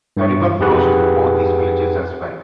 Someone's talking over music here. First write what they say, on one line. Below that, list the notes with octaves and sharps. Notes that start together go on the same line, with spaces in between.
The river flows through both these villages as well.
G2 C#6
F2 D#4 G4 G#4 B4 F#5